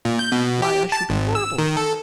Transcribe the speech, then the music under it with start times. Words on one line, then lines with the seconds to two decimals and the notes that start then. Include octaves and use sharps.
Why, I should be horrible!
0.05 A#2
0.19 G6
0.32 B2
0.62 G4
0.92 A5
1.10 G#1
1.35 E6
1.58 D#3
1.77 A4